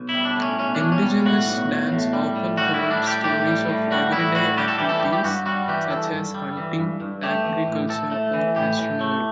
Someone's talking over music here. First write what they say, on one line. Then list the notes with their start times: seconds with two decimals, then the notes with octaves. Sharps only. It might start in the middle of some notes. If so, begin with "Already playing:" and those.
Indigenous dance often told stories of everyday activities such as hunting, agriculture, or astronomy.
Already playing: B1
0.09 E4
0.14 G3
0.25 D4
0.36 A2
0.42 C#4
0.59 B1 C#4
0.75 D4
0.81 B1
0.92 C#4
1.02 G3
1.25 A2 F#4
1.47 B1
1.70 B1
1.92 A2
2.13 G3
2.36 A2
2.57 G3 F#4
2.74 E4
2.80 A2
2.91 D4
3.03 G3 G4
3.24 A2 G4
3.47 G3
3.69 A2
3.91 G3 F#4
4.12 A2 E4
4.35 G3 F#4
4.57 G3 G4
4.68 A4
4.79 E3 G4
4.89 A4
5.00 G2 G4
5.13 G4
5.24 G2 F#4
5.46 G3 F#4
5.68 E3 G4
5.90 G2 A4
6.13 G2
6.34 G3
6.57 E3
6.78 G2
7.00 G2
7.23 A3 G4
7.45 E3
7.67 A2
7.89 A2 A4
8.11 A3
8.33 E3
8.56 A2 G4
8.78 A2
9.01 A3